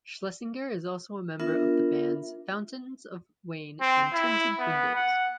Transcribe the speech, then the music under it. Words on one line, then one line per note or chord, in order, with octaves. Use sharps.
Schlesinger is also a member of the bands Fountains of Wayne and Tinted Windows.
B3 D4 F4 A#4 E5
C4
E4
B3
F#5